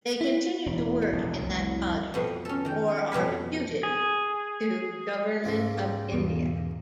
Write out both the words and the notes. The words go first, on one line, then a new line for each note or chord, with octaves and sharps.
They continue to work in that cadre or are deputed to Government of India.
E4
E1
E1 A#1 B2
F1 C2
F2 B2
C#4 A4
D#3 G5
F2 B2 G#5 B5
G#4
C#2 G#2 A#3
E2 B2